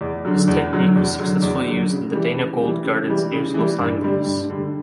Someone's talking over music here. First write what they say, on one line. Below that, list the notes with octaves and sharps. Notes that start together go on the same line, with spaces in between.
This technique was successfully used in the Dana Gould Gardens near Los Angeles.
E2
D3 F#3
E2
D3 F#3
E2
D3 F#3
E2
D3 F#3
C#3
E3 G3
C#3
E3 G3
C#3
E3 G3
C#3
E3 G3
G2
D3 G3
G2
D3 G3